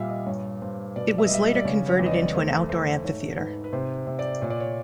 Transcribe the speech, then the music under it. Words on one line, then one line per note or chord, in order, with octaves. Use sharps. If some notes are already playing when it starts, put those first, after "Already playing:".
It was later converted into an outdoor amphitheater.
Already playing: A#2 G3 E5 F5
D#5
G2 C#5
G2 C5
B2 D5
E5
D#5
G3 E5
D#5
D5
C#3 C#5
C#5
E2
D#5
D5
A3 C5
A3 C5
G#2 C#5
G#2 B4
B4
C3 C5
C3
D5
A#2 C#5
D5
C#5